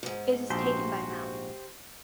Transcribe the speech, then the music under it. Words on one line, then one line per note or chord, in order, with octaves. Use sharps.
It is taken by mouth.
D2 G#2
A#1 F#4 G4 C5